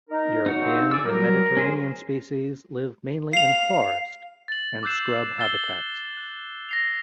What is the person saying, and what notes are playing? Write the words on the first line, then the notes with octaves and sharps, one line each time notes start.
The European and Mediterranean species live mainly in forest and scrub habitats.
D#4 A#4
D#4 F#4 C#5
G2 C#3 C4
G#4 D5 E6
F#3 G3 A#4
C#4 G#4 C5
F5 C7 F7
A6 F#7
D6 E6 F#6 G6 C7 E7
E6 A6 C7 G7
F#6
A#6 C7 F7